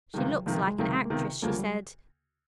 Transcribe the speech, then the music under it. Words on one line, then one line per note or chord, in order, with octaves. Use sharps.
"She looks like an actress," she said.
C#2 C3 D#3 G3
F#3
C#2 C3 D#3 F3
F#3
G#3
C#2 C3 D#3 F#3
G#3
A#3
C#2 C3 D#3 B3
D2 C#3 F3 G3 A#3
G3